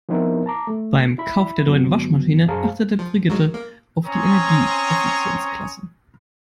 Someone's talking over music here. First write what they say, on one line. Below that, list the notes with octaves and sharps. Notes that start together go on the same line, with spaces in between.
Beim Kauf der neuen Waschmaschine achtete Brigitte auf die Energieeffizienzklasse.
F3 B3 C4 D#4 E4 A#4
A5 A#5 D6
A3
E4 B5
G2 D3 F#3 B3
F#2 G#4 C5 F5 A5 A#5
F3
G#2 F#3 G#3
A#3
C4 C#4 C#5 A#5 C6 D#6